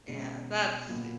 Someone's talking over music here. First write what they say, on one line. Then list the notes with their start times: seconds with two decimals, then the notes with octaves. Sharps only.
Yeah, that's
0.08 B2 G#3 C#4
0.87 A#2 F#3 B3 F4